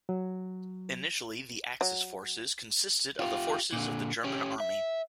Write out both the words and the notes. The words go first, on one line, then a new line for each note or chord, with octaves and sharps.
Initially the Axis forces consisted of the forces of the German army.
F#3
F#3
F4 G4
A#2 D3
C#4 G4
E5